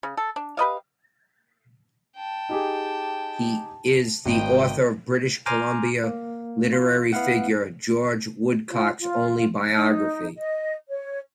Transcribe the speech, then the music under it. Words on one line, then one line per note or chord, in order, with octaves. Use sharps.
He is the author of British Columbia literary figure George Woodcock's only biography.
C#3
A4
D4
G4 B4 D#5 F5
G5 A5
D#4 G4 G#4
G#1 D#5 G5
G#5 A#5 C6 D6 F6 G6
A#3
F4
B3 E4 F5 F#5
F4
F4
D#4
D#5
C#5